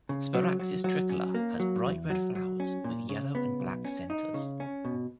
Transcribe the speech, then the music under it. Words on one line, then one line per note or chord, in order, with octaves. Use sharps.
"Sparaxis tricolor" has bright red flowers with yellow and black centres.
C#3
F#3
F#3
F#3
C#4
A#3
F#3
E2
F#3
F#3
C#4
A#2
C#3
B3
B1
C#4
D#4
C#3
C#4
B2